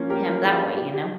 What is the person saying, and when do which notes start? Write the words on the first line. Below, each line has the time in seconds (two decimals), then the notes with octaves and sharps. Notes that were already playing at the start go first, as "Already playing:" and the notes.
him that way, you know?
Already playing: F3 A#3 C#4
0.10 G4 A#4
0.43 F4 G#4
0.77 G4
0.94 G4